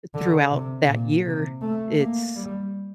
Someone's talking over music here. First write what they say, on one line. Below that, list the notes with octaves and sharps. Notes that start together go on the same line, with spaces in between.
throughout that year, it's
D3
C3
A#2
C3
A3
A#3
G3